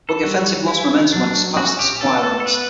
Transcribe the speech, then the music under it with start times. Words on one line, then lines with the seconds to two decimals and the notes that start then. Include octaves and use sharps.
But the offensive lost momentum when it surpassed its supply lines.
0.09 A4
0.23 G3 F#4
0.68 E4
1.12 F#3 D4
1.57 C#4 F#4
1.79 G4
2.01 B3 A4
2.23 A4
2.40 A4
2.46 B4